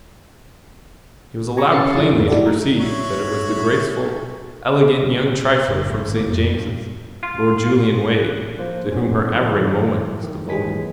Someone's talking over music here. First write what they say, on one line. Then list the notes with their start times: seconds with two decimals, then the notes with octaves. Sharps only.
He was allowed plainly to perceive that it was the graceful, elegant young trifler from St. James's, Lord Julian Wade, to whom her every moment was devoted.
1.57 G#5 A#5 B5 C#6
1.72 C#4 C#6 A6 C7 C#7
1.96 G2 F3 D4 E4
2.13 F2 A#3
2.28 D#4 E4 F#4 G4 A4 D5
2.43 B2 A3 A#5
2.80 F#4 C#5 E5
5.68 F#1
5.91 G#1
6.14 A#3
6.31 F2
6.56 G2
7.23 F4
8.22 F#6
8.59 F3 A#3 C5
8.92 B3 C#4
9.33 D#3 F3 F#3 E4 G4 A4
10.23 D#3
10.45 D#2 E3 F#3 G#3 G#5 B6